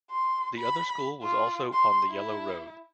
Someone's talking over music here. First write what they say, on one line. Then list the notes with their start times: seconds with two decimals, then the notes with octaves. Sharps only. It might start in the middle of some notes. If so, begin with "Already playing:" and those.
The other school was also on the Yellow Road.
0.11 C6
0.59 B5
1.22 F4
1.73 C6
2.09 E4